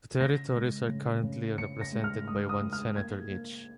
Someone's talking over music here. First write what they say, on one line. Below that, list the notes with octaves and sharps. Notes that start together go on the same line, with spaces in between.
The territories are currently represented by one senator each.
C#3 A#6
G#3
C#3
C#3
C#3 C#7
A#6
G#3
F6
G#3 D#6
D#6
G#3
F6
A#3 G#6
A#3